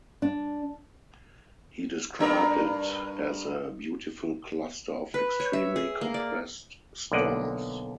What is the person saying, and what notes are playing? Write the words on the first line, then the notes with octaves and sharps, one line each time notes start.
He described it as a "beautiful cluster of extremely compressed stars".
D4
G2 D4 A#4
B4
C#5
E5
G#4
A#3
D5
B1 D3 A#3 D5 D#5 F#5